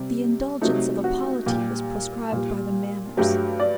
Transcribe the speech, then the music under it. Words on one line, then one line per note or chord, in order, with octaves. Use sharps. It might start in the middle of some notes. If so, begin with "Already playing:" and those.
The indulgence of the polity was proscribed by the manners.
Already playing: C3 G3
C3 F#3 A3 D#4
F#4
A#2 G3 G4
A#2 G3
G2 F#3 A3 G4
D5